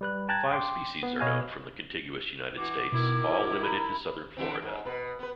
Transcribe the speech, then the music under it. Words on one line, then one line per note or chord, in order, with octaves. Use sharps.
Five species are known from the contiguous United States, all limited to southern Florida.
G3 B4 F#6
G5 A5 A#5 F#6 G#6 A6
G5 C6 D6
B3
B2 B4 C#5 D#5 F5 G#5
E3 F#4 D6
B2 D#3 E4
F#4
A#5 B5
D3 E3 C4
G#2
B2 B4
B3 B4